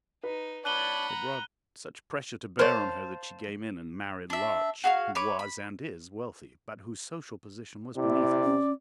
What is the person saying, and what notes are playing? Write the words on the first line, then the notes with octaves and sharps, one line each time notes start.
They brought such pressure to bear on her that she gave in and married Larch, who was and is wealthy, but whose social position was beneath hers.
D#4 B4
C#5 D5 F#5 A5 B5 F#6 D#7 G7
A#5
A#4 C5 C#5 F5 A5
D4 E5
F#4 G#4 D#5 F5
B4 C#5 D6
B5
C3 E4 D5
C#4